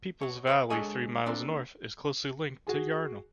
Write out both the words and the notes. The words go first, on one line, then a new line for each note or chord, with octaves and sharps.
Peeples Valley, three miles north, is closely linked to Yarnell.
C#5 F#5
G#4 C5 C#5 E5
G#3 D4 A4 C#5 D#5 G#5
A#3 C4 D4 A4
F#4 G#4 G#5